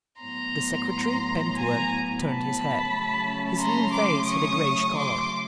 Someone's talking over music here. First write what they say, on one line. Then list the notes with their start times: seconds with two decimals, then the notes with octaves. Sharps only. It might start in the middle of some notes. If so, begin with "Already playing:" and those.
The secretary, Pentuer, turned his head; his lean face had a grayish color.
0.21 A2 F#3 B3 A#5 C6
1.56 G#5 A#5
2.24 A5 B5
2.92 C#3 F#3 A3 C#4
3.59 A#5 C6
3.92 C6 D6
4.26 C#6 D#6
4.94 C6 D6